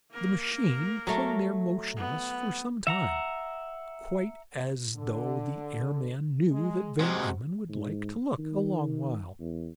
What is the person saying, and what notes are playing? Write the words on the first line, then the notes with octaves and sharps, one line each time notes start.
The machine clung there, motionless, for some time, quite as though the airman knew that Van Emmon would like to look a long while.
A#3 A#4
F#3 A3
B3
E5 F#5 A#5
D3
G#3
C3 G#3 F#4 C5
G#2
D#3
E2